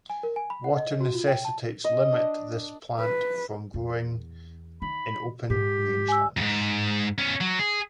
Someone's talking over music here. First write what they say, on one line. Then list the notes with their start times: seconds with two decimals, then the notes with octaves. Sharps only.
Water necessities limit this plant from growing in open rangelands.
0.10 G#5
0.23 A#4
0.36 G#5
0.50 B5
0.64 F#5
0.77 D#5
1.01 F#4
1.14 F4
1.28 G5
1.45 A5
1.85 D#5
2.13 D4
3.00 B4
3.74 E2
4.82 D#3 B5
5.50 G#2 G4
6.08 G#5 E6
6.37 F2 G#2
7.18 B3 C#4
7.41 F#3
7.59 G#4